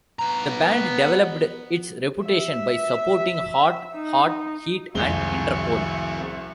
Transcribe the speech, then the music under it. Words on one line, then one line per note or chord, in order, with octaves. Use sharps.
The band developed its reputation by supporting Hot Hot Heat and Interpol.
B3 A#5
E5
D#4
C2 F2 G#3 C4 G#4 E5 C#6 G7